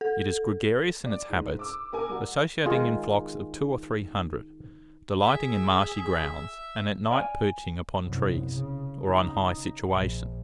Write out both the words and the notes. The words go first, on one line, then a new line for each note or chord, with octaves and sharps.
It is gregarious in its habits, associating in flocks of two or three hundred, delighting in marshy grounds, and at night perching upon trees, or on high situations.
A4
D5
G#2
D6 E6
G4 A#4 G#5 D6
G3 F#4
D#3 G#3 F4 G#4
G#4 E5
D5 F5 G#5
C2 F#2
C#3
C#3 D#4
A#1